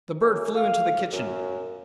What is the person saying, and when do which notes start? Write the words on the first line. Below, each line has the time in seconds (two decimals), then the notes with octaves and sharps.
The bird flew into the kitchen.
0.21 F#2
0.55 F5
1.12 F#2